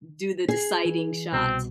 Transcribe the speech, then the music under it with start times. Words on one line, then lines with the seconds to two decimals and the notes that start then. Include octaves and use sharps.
do the deciding shot.
0.48 G#4 C7
0.85 E3
1.33 C2 B2 C4